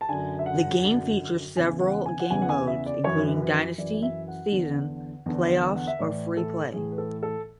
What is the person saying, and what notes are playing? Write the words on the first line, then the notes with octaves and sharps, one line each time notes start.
The game features several game modes, including Dynasty, Season, Playoffs, or Free Play.
A5
F#2 D3 G#5
E5
F#5
F#2 D3
E2 C#3 E3 G#5
F#5
G#5
F#5
E2 C#3 E3 G#5
F#5
G#5
E5
D5
F#2 E3 C#5
B4
B4
F#2 E3 D5
E5
F#5
E2 D3
E2 D3
F#5
E5
A2 E3 D5
A4
A2 E3 G#4
B4
A4
A4